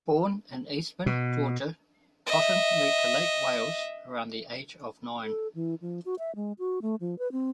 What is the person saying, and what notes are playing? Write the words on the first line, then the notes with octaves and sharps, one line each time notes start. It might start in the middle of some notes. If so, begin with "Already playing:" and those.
Born in Eastman, Georgia, Cotton moved to Lake Wales around the age of nine.
B2
D#5 E5
A4
E3
F3
F#4
E5
G#3
F#4
A3
F3
B4
C4